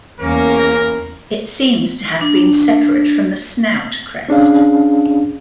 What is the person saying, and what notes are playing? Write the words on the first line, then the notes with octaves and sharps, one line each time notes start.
It seems to have been separate from the snout crest.
E2 A#3 C#4 A#4
D4
C#4 D4 G#4 F5